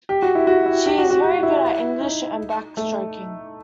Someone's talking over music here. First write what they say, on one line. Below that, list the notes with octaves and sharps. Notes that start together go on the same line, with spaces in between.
She is very good at English and backstroking.
G4
F#4
E4
F#4
E4
G4
F#4
F#4
F#4
E4
D#4
A3